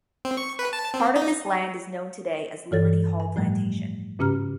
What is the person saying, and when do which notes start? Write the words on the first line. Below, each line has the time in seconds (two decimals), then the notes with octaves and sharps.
Part of this land is known today as Liberty Hall Plantation.
0.25 C4
0.37 C#6
0.59 B4
0.73 A5
0.94 C4
1.16 D#4
2.71 G2 E3 A4 A6
3.20 G#5
3.36 A2 F3 G3 A3
4.19 G#2 C#3 C#4 G4 A#5 F6